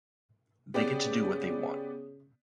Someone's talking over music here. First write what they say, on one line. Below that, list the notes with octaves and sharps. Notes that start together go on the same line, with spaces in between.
They get to do what they want.
C#3 B3 G4 D5